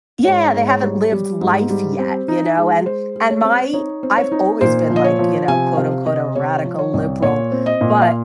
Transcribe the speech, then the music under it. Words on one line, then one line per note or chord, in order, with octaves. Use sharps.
Yeah, they haven't lived life yet, you know, and and my I've always been, like, you know, quote, unquote a "radical liberal," but
G#2 C#5
G#2
C#5
G3
G3
G#2
G3
C4
D#4
G#3
G#3 C5
G#3
C#5
C4
D#4 C#5
C4
C#5
D#4
A#2 C5
F3
D#5
C#5
F3
C3 G#5
C3 F5
C3 D#5
C3 C#5
F3
C#5
C2
A#2 C#5
C4
D#5
A#2
F5